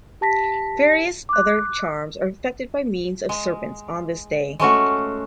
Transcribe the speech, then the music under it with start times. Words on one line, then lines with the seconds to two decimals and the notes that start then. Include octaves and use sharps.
Various other charms are effected by means of serpents on this day.
0.21 G4 A5 A#6 B6
1.29 D6 F#6
3.29 G#3
4.59 G#3 A3 C#4 F#4